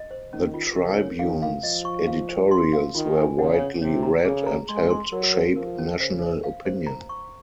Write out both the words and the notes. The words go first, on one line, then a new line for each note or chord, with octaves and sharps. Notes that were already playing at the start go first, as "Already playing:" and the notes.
The "Tribune"s editorials were widely read and helped shape national opinion.
Already playing: D#5
C5
D#3 C#4
F4
C#3 A#4
C#5
D#3 F5
F5
F3 D#5
C#6
F5
C5
C6
F5
D#3 F4
G#5
C#3 F#5
C#5
C3 C#5
A#5
C#3 G#4
A#5
G#3 C6
C6
F#3 A#4
A#4
F3 A#4
C#4
C#3 C5
C5
F5
C5
A#5
C#6